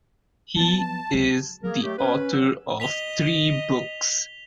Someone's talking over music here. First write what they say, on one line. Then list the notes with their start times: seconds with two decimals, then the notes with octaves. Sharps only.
He is the author of three books.
0.56 F3 F#3 B3 A5
1.14 C#2 F#3 G#3
1.63 A#3 G#4 A#4
1.83 D#3 F#3 A3 G4
1.98 C#4 B4
2.31 F#3 E6
2.80 D#5 B6 F7 G7